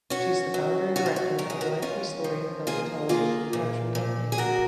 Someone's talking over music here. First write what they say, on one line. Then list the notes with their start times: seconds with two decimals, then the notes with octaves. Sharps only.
She is the founder and director of "likely story" film and television production company.
0.10 C#4 F#4
0.54 F#3
0.96 F4 F#4
1.06 F4
1.16 F#4
1.39 C#4 A#4
1.50 G#4
1.61 F#4 A#4
1.82 C#4 F4
2.24 F3
2.67 A#3 F4 G#4
3.09 A#3 F4 G#4
3.53 A#2
3.95 A#2
4.32 G#4
4.38 A#2 F#4 A#4